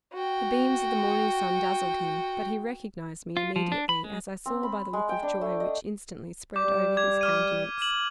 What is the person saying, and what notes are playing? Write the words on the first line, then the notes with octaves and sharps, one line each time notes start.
The beams of the morning sun dazzled him; but he recognized me immediately, as I saw by the look of joy which instantly spread over his countenance.
F#4 G5
F4
F3
D4
B5
G#3
C4
B5
G#3
G5
D4
A3
D#5
G3 D6 G6
D6 G#6 F7
D6 F6 D#7
E7 F#7